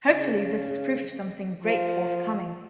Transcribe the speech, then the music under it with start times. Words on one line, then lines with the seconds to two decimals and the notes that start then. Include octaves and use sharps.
Hopefully this is proof of something great forthcoming.
0.10 C#3
1.62 F3